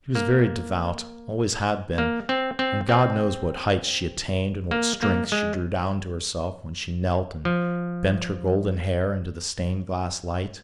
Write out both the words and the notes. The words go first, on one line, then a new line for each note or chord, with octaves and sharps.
She was very devout, always had been, and God knows what heights she attained and what strength she drew down to herself when she knelt and bent her golden hair into the stained-glass light.
A#3
A#3
C4
C4
C4
A#3
A#3
G#3
F3